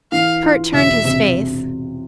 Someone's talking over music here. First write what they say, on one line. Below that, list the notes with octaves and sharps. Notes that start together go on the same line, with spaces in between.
Kurt turned his face.
E3 F5
F4
E1 E5
C3